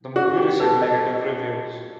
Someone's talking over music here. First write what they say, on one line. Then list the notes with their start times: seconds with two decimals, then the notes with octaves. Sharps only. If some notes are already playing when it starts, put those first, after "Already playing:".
The movie received negative reviews.
0.16 F#4 G#4
0.37 G4 G#4
0.60 A4 B4
0.82 A4 D#5